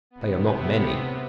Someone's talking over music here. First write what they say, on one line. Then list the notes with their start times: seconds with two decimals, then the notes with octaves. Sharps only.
They are not many.
0.10 C3 B3